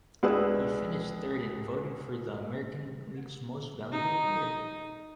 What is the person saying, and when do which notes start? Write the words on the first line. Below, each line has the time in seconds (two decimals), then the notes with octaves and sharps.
He finished third in voting for the American League's Most Valuable Player.
0.23 C#2 D4 G#4 B4 E6
3.93 D#4